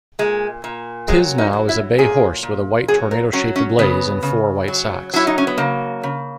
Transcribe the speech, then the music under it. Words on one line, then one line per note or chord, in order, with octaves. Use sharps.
Tiznow is a bay horse with a white tornado-shaped blaze and four white socks.
A#2 G#3
A#2
F#3 G#3
D#4
F#3
E4
A#2 G#4
A#2
F#3 G#4
A#4
F#3 C#4
C#4
C#3 B3
C#3
F#3
F#3 E4
D#4
C#4
B3
C#3 A#3
C#3